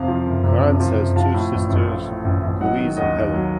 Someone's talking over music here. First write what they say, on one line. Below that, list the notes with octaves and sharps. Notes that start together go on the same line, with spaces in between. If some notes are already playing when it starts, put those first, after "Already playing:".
Kranz has two sisters, Louise and Helen.
Already playing: F2 C3 F5
F3
F#1
C3
F2
F3
F#1
F3 F5 A5
A2
A1
A1
F3
A2
A1
A1
F#3 D#5 F#5
D#3
D#2 D#5 F#5
D#2
F#3